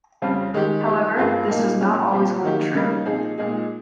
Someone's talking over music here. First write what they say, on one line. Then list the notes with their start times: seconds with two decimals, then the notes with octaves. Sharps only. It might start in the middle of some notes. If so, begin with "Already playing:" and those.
However, this does not always hold true.
0.22 F2 C#3 G3 C4 F4
0.54 D#3 G#3 D#4 G4
0.85 F3 G#3 D#4 G4
1.16 G2 F3 A#3 F4 G#4
1.48 A#2 F3 A#3 D#4
1.79 A#2 G#3 C#4
2.11 A#2 F3 C4 G4
2.43 D#3 A#3 D#4 G4
2.73 C#3 G3 A#3 D#4
3.05 A#2 F3 C4 D#4 G#4
3.38 A#2 G#3 D#4 G#4